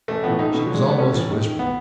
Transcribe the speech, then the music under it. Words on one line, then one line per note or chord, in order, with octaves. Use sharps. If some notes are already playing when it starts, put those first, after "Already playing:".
She was almost whispering.
A1 A3
A2 E3 B3
B1 D#4
B2
E2 F#3
G#3
D#3 A3
B3
A1 C#4
A2 E3
D#2
D#3
B3